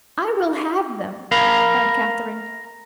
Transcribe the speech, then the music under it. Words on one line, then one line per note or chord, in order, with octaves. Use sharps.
"I will have them," cried Katharine.
A#4 F5 A#5 B5